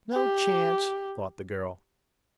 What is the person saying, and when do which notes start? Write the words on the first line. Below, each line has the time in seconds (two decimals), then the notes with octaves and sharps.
"No chance," thought the girl.
0.13 G4